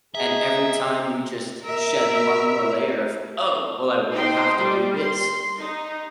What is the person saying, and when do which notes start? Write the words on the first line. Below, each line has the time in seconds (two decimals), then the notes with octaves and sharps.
and every time you just shed one more layer of, "Oh! Well I wouldn't have to do this."
0.15 G#4 D#5 E5 A#5
1.63 A#4 E5
4.14 D#4 C5 G5 C6
4.60 G3
4.98 C6
5.58 D#4